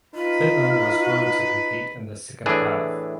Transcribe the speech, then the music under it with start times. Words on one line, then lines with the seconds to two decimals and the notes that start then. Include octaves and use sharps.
Finland was drawn to compete in the second half.
0.15 D#4 F4 B4
2.46 A2 E3 D4 G#4